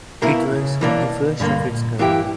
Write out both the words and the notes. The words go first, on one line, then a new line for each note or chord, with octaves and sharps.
It was the first of its kind.
B2 A#3 E4 A#4
C#3
B2 E3 A#3 D4
G2 D3 A#3
A#2
G2 E3 A#3 E4 G4